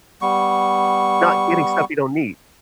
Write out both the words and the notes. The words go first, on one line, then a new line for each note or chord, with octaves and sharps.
not getting stuff you don't need.
G3 B3 C#6